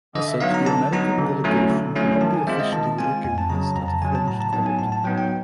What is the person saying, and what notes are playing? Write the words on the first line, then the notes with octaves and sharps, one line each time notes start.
As such, the American delegation could not be officially recognized at the French Court.
D3 D#5
E5
F#3 B3 D#4 F5
A#5
D3 A5
F#3 B3 D#4 A#5
D3
F#3 A3 C#4 E4
D3
F#3 A3 C#4 E4
D#3 A5
G#5
G#3 C4 F4 E5
D#5
D#3 A5
G#3 C4 F4 G#5
F2 G#5
A5
C#3 F#3 A#5
A5
F2 A#5
A5
C#3 F#3 G#5
A5
A2 A#5
A5
F#3 B3 D#4 A5
G#5
A2 A5
A5
F#3 B3 D#4 G5
G5